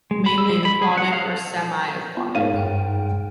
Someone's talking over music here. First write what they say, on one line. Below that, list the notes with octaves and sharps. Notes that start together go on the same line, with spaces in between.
Mainly aquatic or semi-aquatic.
G#3
B5
E6
F3
B5
G#4
F#5
F5
A4
B3 F4
G#2 A#4 C#5 F5 D#7
G2 G5